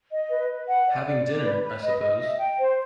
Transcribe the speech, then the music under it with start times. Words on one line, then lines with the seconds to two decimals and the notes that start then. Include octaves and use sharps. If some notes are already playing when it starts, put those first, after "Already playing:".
Having dinner, I suppose.
0.11 D#5
0.30 B4
0.49 B4
0.68 F#5
0.87 D5
1.06 D5
1.25 D5
1.44 B4
1.63 B4
1.82 D#5
2.00 D#5
2.19 E5
2.38 G5
2.58 C5